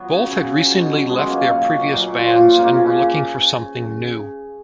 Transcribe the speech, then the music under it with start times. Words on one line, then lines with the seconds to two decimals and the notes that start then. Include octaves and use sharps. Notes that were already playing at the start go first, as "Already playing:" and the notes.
Both had recently left their previous bands and were looking for something new.
Already playing: F#3 B3
0.10 C#3
0.27 C#3
0.43 C#3
0.60 F#3
0.76 B2
0.92 F#3
1.09 F#3 G#3 B3
1.25 B2 A#3 C#4
1.42 B2 A#3
1.59 F#3
1.75 F#3
1.92 F#3
2.08 A#2
2.25 F3
2.40 A#2
2.57 C#3 A#3
2.74 C#3
2.90 C#3